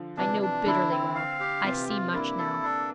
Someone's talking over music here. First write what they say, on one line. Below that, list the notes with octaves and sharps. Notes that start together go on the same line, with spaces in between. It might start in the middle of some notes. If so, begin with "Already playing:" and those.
I know bitterly well; I see much now.
Already playing: D3 F3
C3 E3 D4
D4
D3 E4
C4
F5
G4
C3 E3 F4
F4
A#3 D4 E4
A4
D4